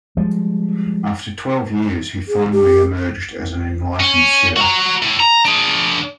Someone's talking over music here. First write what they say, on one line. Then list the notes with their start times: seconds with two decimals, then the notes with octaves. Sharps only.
After twelve years he finally emerged as an enlightened Siddha.
0.17 F3 G3 G#3
2.28 G#4
2.52 G4
4.00 C#4
4.56 F#4 A#5
5.03 A3 E4
5.20 A#5
5.45 D4 G#4